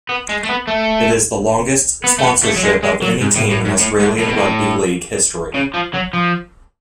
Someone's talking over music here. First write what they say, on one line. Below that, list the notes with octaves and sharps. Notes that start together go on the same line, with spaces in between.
It is the longest sponsorship of any team in Australian Rugby League history.
B3
G#3
A3
B3
A3
B3
A3
B3
A3
F#3
G#3
G#3
F#3
G#2
A2
A2
G#2
A2
G#2
A2
B2
A2
C#3
F3
F#3
F3